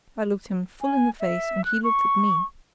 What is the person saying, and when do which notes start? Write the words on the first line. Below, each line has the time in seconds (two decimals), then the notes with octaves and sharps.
I looked him full in the face, and he looked at me.
0.81 G#5
1.20 E5
1.65 F#6
1.84 C#6